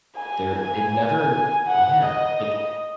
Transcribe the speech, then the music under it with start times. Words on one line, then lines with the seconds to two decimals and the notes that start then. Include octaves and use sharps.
they're they've never Yeah, like,
0.16 G#5
0.55 G#5
1.67 F#5
2.05 D#5